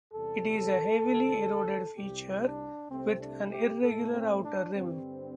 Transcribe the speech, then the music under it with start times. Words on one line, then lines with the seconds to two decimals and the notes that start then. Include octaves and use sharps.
It is a heavily eroded feature with an irregular outer rim.
0.13 E2 C3 G3 A4
1.05 D2 D3 G3
1.97 C2 C3 G3 G4
2.44 D4
2.90 C2 C3 A3 C4
3.20 D4
3.51 G4
3.82 A2 A3 A4
4.13 C4
4.43 D4
4.74 G2 D3 G3 C4